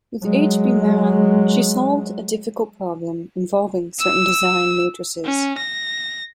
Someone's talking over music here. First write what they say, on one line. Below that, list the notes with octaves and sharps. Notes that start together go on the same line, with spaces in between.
With H. B. Mann, she solved a difficult problem involving certain design matrices.
F#3 G#3
E6
C#4
A#6